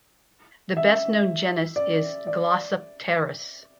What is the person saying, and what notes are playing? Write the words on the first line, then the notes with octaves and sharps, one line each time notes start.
The best known genus is "Glossopteris".
E5
D5
D5